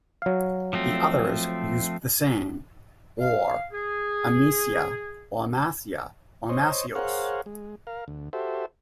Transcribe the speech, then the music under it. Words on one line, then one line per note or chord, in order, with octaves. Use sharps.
The others used the same, or Amisia, or Amasia or Amasios.
F#3 F5
F3 A3 C4
F5
G#4
C5 C#5 D#5
G#4 A#4 C5 C#5 F5 F#5
G#3
A#4 F5
D2
F#4 G4 A4 C5 E5